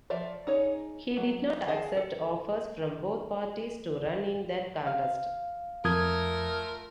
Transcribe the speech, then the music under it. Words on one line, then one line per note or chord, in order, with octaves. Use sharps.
He did not accept offers from both parties to run in that contest.
F3 F4 D5 E5
D#4 G#4 C#5
F#3
G#4 D#5 F5 G#5 A5
A4
F5
F2 A3 F4 A#4 D#6 G#6